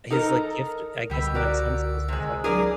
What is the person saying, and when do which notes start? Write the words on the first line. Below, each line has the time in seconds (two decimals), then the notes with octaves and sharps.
his, like, gift I guess in that sense was the fact that he
0.11 D#4 A4 A#4
1.10 C#2 B2 D3 G3 E6
1.34 F#4 A#4 D5
2.08 C3 G#3
2.44 F#3 D4 G#4 A#4 D5